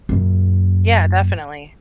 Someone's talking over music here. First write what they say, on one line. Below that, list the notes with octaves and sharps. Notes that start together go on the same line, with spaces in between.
Yeah, definitely.
F#2 A#2